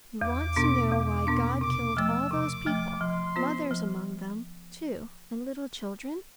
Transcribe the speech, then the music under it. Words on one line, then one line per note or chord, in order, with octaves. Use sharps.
You want to know why God killed all those people--mothers among them, too, and little children?
E2 D6
B2 B3 D4
E2 D6
B2 B3 D4
C3 D6
F3 A3 E6
C3 D6
F3 A3
F3 C6
B3 F4 C5
F3